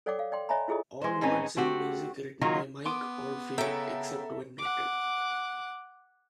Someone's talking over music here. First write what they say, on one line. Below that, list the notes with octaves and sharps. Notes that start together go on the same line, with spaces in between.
All words and music written by Mike Oldfield, except where noted.
A4 C#5 D5 F#5 G5 D6
F5
D5 G5 C6
C#5 D#5 E5 G#5 A#5 B5
E4 F4 G#4 A4 D#5
G#3 C5
A2 G#3 C4 C#4 D#4
A3 C4 F#4 G4
D#3 F#3 A#3 D#4 F4 F#4
B3 C6 D6 D#6
C#3 A4 E5 G5 A#5
F#5 D6